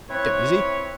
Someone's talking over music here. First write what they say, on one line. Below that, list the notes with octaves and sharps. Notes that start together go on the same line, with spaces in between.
"Get busy."
C4 E4 B4 C#5